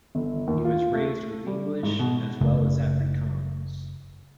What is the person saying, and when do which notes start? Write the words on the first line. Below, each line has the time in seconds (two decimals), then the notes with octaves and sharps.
He was raised with English as well as Afrikaans.
0.15 G1
0.47 D#2
0.65 F4
0.93 A3
1.47 G3
1.83 G#2
1.99 B2
2.41 F#1 C#3 A3